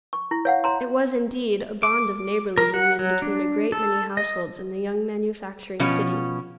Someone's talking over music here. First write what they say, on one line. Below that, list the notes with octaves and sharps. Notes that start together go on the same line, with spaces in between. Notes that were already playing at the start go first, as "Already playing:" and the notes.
It was, indeed, a bond of neighborly union between a great many households in the young manufacturing city.
C#6
E4
C#5 F5 F#5
C#5 A#5 C6
D6
A#4
F#5
F#3
D4
A4
D#5
B2 F3 C#4